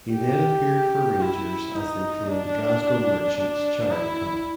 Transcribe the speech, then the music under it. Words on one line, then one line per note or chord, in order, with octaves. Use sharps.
He then appeared for Rangers as they claimed the Glasgow Merchants Charity Cup.
G4
E4
D#4
D4
D4
E4